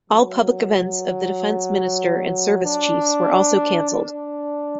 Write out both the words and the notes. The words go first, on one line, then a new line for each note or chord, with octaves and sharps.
All public events of the Defence Minister and Service Chiefs were also cancelled.
F#3
D4
D4